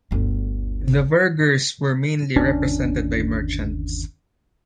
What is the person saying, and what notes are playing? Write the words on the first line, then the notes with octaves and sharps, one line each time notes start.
The burghers were mainly represented by merchants.
G1 D2
G1 D#2 C#4 D4